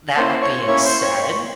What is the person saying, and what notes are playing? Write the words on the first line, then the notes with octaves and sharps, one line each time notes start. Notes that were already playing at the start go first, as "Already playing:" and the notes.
That being said,
A#3 C#4 E4 C5 C6
C#5 C#6
A#3 C#4 E4 C#5 C#6
C5 C6
C#5 C#6